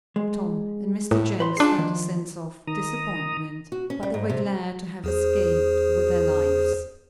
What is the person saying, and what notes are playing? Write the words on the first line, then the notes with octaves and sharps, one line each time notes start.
Tom and Mr. Jenks felt a sense of disappointment, but they were glad to have escaped with their lives.
G#3
A2
B4 C#5 C6
D4 F4 G#4 C7
D#3 F3 A#3
D#3 A#5 D#6
F#4
C#4
G3
G#2
C3
E2 G#4 C5